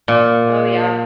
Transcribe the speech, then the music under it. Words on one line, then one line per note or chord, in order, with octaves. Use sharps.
Oh, yeah.
A#2